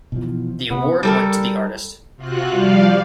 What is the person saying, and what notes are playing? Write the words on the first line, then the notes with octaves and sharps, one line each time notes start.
The award went to the artist.
B2 E3 F3
C3 B3
G3 A4 A#4
C3 F4 F#4 F#6
F3 G3 D5 F5